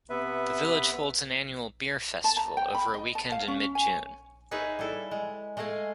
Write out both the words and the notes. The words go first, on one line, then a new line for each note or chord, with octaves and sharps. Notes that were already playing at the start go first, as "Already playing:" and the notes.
The village holds an annual Beer Festival, over a weekend in mid-June.
C3 B3 B4 E5
A5
A#5
G5
B5
D#5
A5
F5
C#4
G#5
C#5
D#4 G#4 B4 C#5 E5
G3 E4 A4 E5
G#3
G#3 A3 D#5 F5 G#5